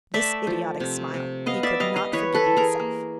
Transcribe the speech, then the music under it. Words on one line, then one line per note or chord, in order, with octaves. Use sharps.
This idiotic smile he could not forgive himself.
A3 D5 E5
F3
C3
C3
B3 D#5 F5
D5 E5
G3 D#5 F5
D#5 F5
E3 B4 C#5
A4 B4
E3
G#4 A#4
A#3